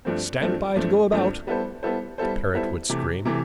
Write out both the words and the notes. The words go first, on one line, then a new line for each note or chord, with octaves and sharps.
"Stand by to go about," the parrot would scream.
G2 F3 A3 C4
G2 F3 A3 C4
G2 F3 A3 C4
G2 F3 A3 C4
G3 B3 E4 A4 C5
G3 B3 E4 A4 C5
G3 B3 E4 A4 C5
G3 B3 E4 A4 C5
C3 E3 A3
C3 E3 A3